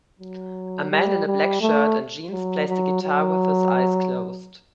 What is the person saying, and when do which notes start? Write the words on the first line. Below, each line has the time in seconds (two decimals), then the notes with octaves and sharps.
A man in a black shirt and jeans plays the guitar with his eyes closed.
0.20 F#3
0.90 G3
1.27 G3
1.61 A3
2.32 F#3
2.68 F#3
3.03 F#3